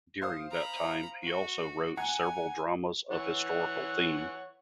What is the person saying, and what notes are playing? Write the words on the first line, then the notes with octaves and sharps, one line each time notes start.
During that time he also wrote several dramas of historical theme.
C5 F5 D#6
A#5 B5
F#4
F#5 G#5 A#5 G#6
E3 C#5 F#5